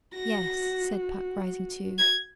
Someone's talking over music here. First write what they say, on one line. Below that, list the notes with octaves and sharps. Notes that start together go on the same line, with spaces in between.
'Yes,' said Puck, rising too.
F#4 A#6
G#6